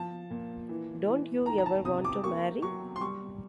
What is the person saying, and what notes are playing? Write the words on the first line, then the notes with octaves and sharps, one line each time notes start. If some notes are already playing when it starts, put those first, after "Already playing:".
Don't you ever want to marry?
Already playing: F3 A5
A#2
E3
E3
D#3 A#5
A#5
A5
C3 D#6
D6
A#3 C#6
F#3 C#6
C6
G3 C#6